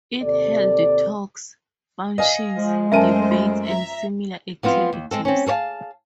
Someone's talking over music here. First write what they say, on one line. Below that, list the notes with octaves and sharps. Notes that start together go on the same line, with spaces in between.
It held talks, functions, debates and similar activities.
D#2 C3 A4 D5
D#5 F5 G#5
F3 G#3
F#2 A3 A#4 C5 E5 G#5 A5 D#7
F4
E5 A#5
F3 B3 C4 F4
D#2
G#3 C4 A4
C4 C#4
G#4 A4 C#5 F5 A5